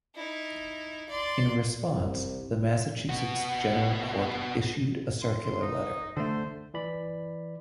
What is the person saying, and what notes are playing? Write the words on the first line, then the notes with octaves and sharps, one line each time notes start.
In response, the Massachusetts General Court issued a circular letter.
D#4 E4
D5 C6
C2
B3 F#4
C6
C6
D#4
D3 A3 C5
E3 E4 D5 B5